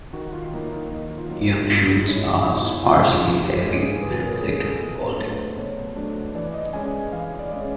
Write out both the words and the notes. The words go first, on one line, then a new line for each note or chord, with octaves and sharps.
Young shoots are sparsely hairy and later balding.
D#3 F#4
F4
F#3 A#3 D#4 E4
D#4
D#3 D#4
F4
F#3 A#3 D#4
E4
B2 F4
G#3 C#4 E4
B2 D#4
E4
G#3 C#4 F4
E4
E3 F4
G4
G#3 C#4 G#4
G#4
E3 B4
A#4
G#3 C#4 G#4
A4
B2 B4
C5
F#3 A3 D4 B4
C5
B2 C#5
F#3 A3 D4
E3 D5
D#5
G#3 C#4 G#5
E3 F5
D5
G#3 C#4